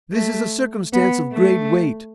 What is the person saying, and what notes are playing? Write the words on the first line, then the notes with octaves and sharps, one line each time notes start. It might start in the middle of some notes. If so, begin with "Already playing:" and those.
This is a circumstance of great weight.
A3
B3
A3